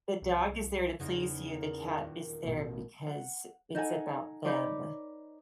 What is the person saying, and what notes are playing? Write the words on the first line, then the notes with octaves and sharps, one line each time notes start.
the dog is there to please you, the cat is there because it's about them.
C2
E2 C#3 D#4
A#3
D#1
A1 B2
F#5
D#4 A4 F#5 G#5
D#4 B4 C#5 D5